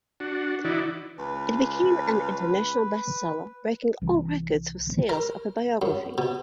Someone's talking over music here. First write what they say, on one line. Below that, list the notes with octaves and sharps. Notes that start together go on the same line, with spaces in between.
It became an international best-seller, breaking all records for sales of a biography.
D4 F#4
E3 D#4 E4 F#4 D5
C#2 B4
C2 E3
A#4
F#2
B2